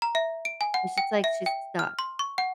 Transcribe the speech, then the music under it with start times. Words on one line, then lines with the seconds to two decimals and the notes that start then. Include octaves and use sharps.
It's just like she's stuck.
0.02 A#5
0.15 E5
0.45 D7
0.61 G#5
0.74 F#5
0.98 G5
1.24 E5
1.46 G5
1.79 F6
1.99 C6
2.19 C#6
2.38 F#5